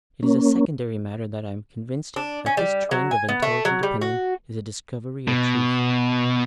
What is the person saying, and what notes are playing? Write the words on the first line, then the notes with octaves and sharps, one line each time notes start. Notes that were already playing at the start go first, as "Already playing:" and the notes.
It is a secondary matter that I am convinced that this trend of intelligent opinion is a discovery of truth.
A#3 C#4
D4
C#4
G3
F#3
G#5
B3
A3
F#3
G3
F#4
B2